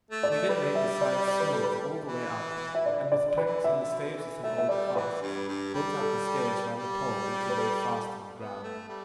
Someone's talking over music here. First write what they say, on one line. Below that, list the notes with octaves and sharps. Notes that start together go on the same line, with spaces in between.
We then made the sides smooth all the way up, and with planks and the staves of some old casks, built up the stairs round a pole which we made fast in the ground.
A3
D5
A3
G3 B4
E5
D5
D5
B4
A4
B4
E3
E5
D3 D5
D5
D3
B4
E3
D3 E5
B2
E3
A3 E5
E5
G3 D5
E3 B4
G2
G2
G3
A4
G3
B4
A4
B3
A3
G3